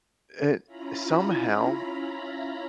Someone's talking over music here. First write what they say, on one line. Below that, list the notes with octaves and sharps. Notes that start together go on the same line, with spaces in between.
it somehow,
C#4 E4 F4 A#5 B5